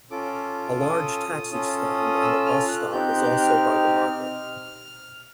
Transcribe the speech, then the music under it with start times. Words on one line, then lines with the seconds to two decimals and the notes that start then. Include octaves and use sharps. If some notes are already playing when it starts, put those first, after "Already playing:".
A large taxi stand and a bus stop is also by the market.
0.11 C#4 F4 A4 D6
0.82 D#6
1.52 C#4 F4 A4 D#6
2.22 E6
2.46 F6
2.68 F#6
2.92 C4 D#4 G4 G6
3.16 F#6
3.23 G6
3.31 F#6
3.40 F6